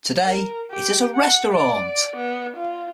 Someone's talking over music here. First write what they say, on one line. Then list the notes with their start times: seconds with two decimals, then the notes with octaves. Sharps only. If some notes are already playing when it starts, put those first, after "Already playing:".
Today it is a restaurant.
0.25 A#4
0.71 G4
1.15 F#5
1.53 D5
2.16 B3
2.57 F4